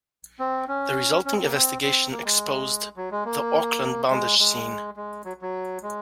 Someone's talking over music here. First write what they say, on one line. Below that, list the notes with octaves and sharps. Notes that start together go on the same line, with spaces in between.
The resulting investigation exposed the Auckland bondage scene.
C4
C#4
C#4
C4
A#3
C4
C4
A#3
G#3
F#3
G#3
A#3
G#3
G#3
G#3
F#3
F#3
G#3